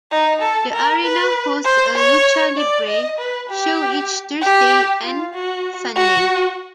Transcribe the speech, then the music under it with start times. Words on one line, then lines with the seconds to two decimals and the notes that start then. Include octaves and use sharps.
The arena hosts a lucha libre show each Thursday and Sunday.
0.11 D#4
0.42 A4
0.73 A#4
1.03 B4
1.65 C5
1.96 C#5
2.57 D5
2.88 D#5
3.19 B4
3.49 G4
4.41 G4
5.03 F4
5.34 F#4
5.96 F#4